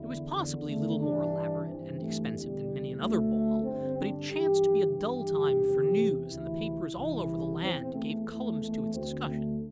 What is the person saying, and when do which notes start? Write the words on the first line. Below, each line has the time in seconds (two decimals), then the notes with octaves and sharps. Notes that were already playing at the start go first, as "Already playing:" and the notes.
It was possibly little more elaborate and expensive than many another ball, but it chanced to be a dull time for news and the papers all over the land gave columns to its discussion.
Already playing: E2 D3 E4
0.34 E2 D3
0.67 A3
1.00 G2 E3 D4
1.66 G2 E3 C4
1.99 A3
2.32 E2 D3 G3
2.98 D2 D3 A3
3.64 G2 D3 C4
3.97 D4
4.30 G2 E3 G4
4.96 G2 E3 G4
5.62 E2 C3 E3
6.29 D2 C3 E3 E4
6.95 C2 C3 E3 E4
7.61 E2 E3 C4
7.94 A3
8.27 E2 E3 A3
8.61 A3
8.94 D2 D3 C4
9.26 A3